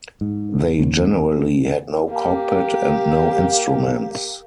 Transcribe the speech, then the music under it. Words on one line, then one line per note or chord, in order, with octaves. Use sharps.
They generally had no cockpit and no instruments.
G#2
D#2
A#3 G4